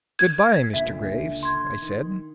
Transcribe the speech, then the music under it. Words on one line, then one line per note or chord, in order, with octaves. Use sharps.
"Good-bye, Mr. Graves!" I said.
G#6
C#2 A#2 D3 E5
C6 G#6
D#3